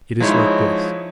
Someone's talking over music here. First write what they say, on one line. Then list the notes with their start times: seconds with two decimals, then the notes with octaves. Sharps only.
It is like this.
0.20 F3 G#3 D#4 E4 C#5